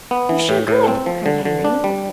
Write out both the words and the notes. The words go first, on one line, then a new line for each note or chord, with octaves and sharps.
"We sure could!" cried Henry.
B3
E3
A2
A2
C4
F3
D3
D3
D4
G3